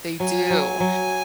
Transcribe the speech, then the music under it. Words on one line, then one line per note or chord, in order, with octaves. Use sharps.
They do.
F#3 G#5
F#3
F#3